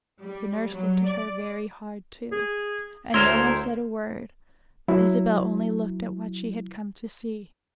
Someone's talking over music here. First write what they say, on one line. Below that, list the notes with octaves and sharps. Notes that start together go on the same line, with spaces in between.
The nurse looked at her very hard too, and no one said a word; but Isabel only looked at what she had come to see.
G3
F#3
D5
G#4
D2 E4 A#4 C5 C#5 C6 F6 G#6
F#3 E4